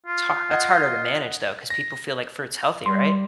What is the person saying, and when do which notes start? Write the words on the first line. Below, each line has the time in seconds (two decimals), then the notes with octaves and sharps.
It's har that's harder to manage, though, 'cause people feel like fruit's healthy, right?
0.06 F4
0.51 D#5 F#5 G#6
1.70 A#6
2.86 G3 C6